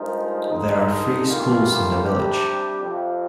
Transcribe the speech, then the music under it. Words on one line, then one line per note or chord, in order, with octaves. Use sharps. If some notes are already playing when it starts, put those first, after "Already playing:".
There are three schools in the village.
Already playing: G2 F3 G#3 D#4 A#4
D3 G#3 D#4
D2 D3 G3 A#3 F4
C3 G3 D4 G4
F2 C3 F3